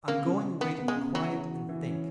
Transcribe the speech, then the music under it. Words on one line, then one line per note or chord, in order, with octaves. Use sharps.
I'm going away to be quiet and think.
C#3 A#3
C#3
C#3
C#3 B3
B3
G#3
C#3
F#3 F#4
E3
F#4
E3
C#4